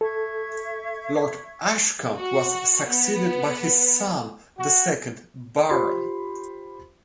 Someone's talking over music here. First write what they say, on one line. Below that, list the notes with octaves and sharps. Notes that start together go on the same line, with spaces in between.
Lord Ashcombe was succeeded by his son, the second Baron.
A4 E5 C#6 G#6
F#4
B3
F#4
F4 G4 C5 B5 C6